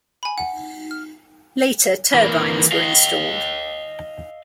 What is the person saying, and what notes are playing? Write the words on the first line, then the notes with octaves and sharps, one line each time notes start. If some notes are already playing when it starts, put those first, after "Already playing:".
Later turbines were installed.
G#5 B5
F#5
F6
E3 A#3
D#5 F5